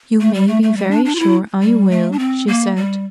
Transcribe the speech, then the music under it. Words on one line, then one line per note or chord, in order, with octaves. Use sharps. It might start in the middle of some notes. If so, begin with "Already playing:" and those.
"You may be very sure I will," she said.
A3
G3
A3
A3
G3
D4
D4
F4
E4
G3
A3
D4
C4
A#3
G3